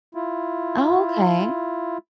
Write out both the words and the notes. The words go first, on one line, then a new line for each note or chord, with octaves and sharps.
Oh, okay.
E4 F4